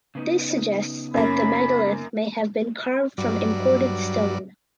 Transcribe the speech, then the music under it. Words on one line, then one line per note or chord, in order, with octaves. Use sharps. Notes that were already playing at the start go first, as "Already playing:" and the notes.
This suggests that the megalith may have been carved from imported stone.
C#3 B3 D#4
F#2 A#3 C#4 B5
G2 F#3 D5